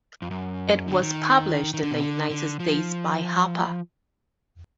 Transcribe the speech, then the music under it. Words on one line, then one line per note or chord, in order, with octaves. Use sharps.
It was published in the United States by Harper.
F2
F#2
D3
D#3
D#3
D3
B2
D3
D3
F3